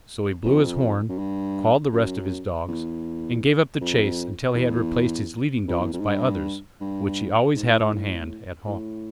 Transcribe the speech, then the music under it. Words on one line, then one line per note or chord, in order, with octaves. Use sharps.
So he blew his horn, called the rest of his dogs, and gave up the chase until he had replaced his leading dogs by others, which he always had on hand at home.
F2
F#2
G2
F#2
E2
F2
E2
F2
E2
F2
G#2
G2
G2
G#2
A2
A2
A2